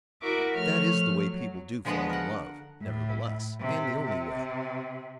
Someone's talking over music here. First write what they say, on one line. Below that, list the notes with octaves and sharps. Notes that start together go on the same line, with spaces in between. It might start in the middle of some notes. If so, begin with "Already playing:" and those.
That is the way people do fall in love, nevertheless, and the only way.
E4 F#4 A#4 E5 C#6 D6
F3 A3 C#5 F6
F#3
D3 F3 G#3 B3 F#4 B4
A#4 F#5
A2
C3
C3